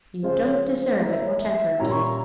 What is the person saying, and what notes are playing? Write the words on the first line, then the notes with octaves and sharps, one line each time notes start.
You don't deserve it, whatever it is.
C#3 F3 G#3 C#4 F4 C5
C#5
C5
C5
E3 A#3 E4 C5
E5
C#5
E5
A#2 G3 C#4 E4 A#5
C#6
A#5